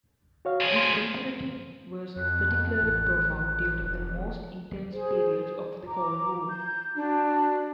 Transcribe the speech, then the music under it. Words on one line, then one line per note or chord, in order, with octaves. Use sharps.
This imperative was particularly profound during the most intense periods of the Cold War.
F#4 C#5 F5
F3 G#4
C6
F2 F#6
A1
F1
G#4 C5
A#5 D6
G6
D4 F#4